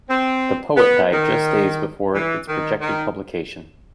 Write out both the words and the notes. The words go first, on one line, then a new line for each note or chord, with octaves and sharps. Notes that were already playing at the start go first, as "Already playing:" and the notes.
The poet died just days before its projected publication.
C4
B3
D#3
E3
D#3
D#3